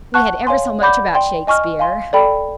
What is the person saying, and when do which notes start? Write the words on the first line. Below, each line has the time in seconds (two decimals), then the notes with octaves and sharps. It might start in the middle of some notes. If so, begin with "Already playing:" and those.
We had ever so much about Shakespere.
0.14 F#5 A5 C#6 F#6
0.47 C#5 F5 G#5 C6
0.81 D5 F#5 B5 D6 G6
1.14 D5 G5 C6
1.47 D#5 G#5 C#6 F6
1.79 F5 G#5 C6
2.13 A4 D5 G5 B5